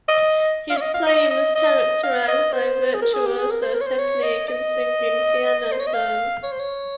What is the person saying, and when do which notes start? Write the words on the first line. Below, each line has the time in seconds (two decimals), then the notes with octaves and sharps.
His playing was characterized by a virtuoso technique and singing piano tone.
0.08 D#5
0.70 F5
0.77 C#5
0.81 D#5
0.94 F5
1.07 D#5
1.31 D#5
1.55 D#5
2.03 F5
2.28 D#5
2.52 C5
2.94 G#4
3.02 A#4
3.14 G#4
3.26 G4
3.38 G#4
3.51 A#4
3.63 C5
3.74 A#4
3.81 C#5
3.86 C5
3.99 C#5
4.23 D#5
4.48 D#5
5.72 C5
5.80 C#5
5.87 D#5
5.94 F5
6.43 C#5
6.52 C5
6.60 C#5